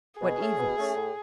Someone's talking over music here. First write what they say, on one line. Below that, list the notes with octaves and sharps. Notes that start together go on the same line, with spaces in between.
What evils?
B2 G#4
A3 C#4
B2
A3 C#4
A2